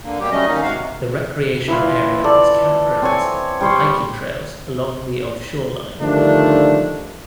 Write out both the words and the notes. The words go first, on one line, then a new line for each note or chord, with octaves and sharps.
The recreational area has campgrounds and hiking trails along the of shoreline.
D3 A#3
B2 F#3 G3 A#3 G4
F#3 G3 A3 C#4 D#5
D#2 A#3 C#4 D#4
C3 G#3 F#4 F5
C3
E3 E4 F4
A4 D5
C4 C#5 G#5
G3 C6 C#6
D3 D#3 F3 G3 A3 D4